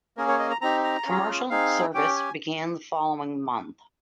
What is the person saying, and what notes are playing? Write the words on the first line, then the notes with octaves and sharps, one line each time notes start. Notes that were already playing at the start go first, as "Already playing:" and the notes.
Commercial service began the following month.
A#3 C#4 G#4 A#4
C#5
D#5
A#5
C4 D#4 G4 A#5
A#5
C#4 F4 G#4
C4 D#4 G#4 F5
C#4 G4 G5
G#5